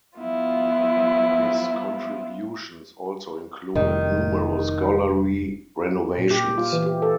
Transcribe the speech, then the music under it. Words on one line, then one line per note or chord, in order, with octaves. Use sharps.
His contributions also included numerous gallery renovations.
F3 G3 B3 E4 F4
F1 D#3 G3
A#2
G4
F4
E3
G4
A4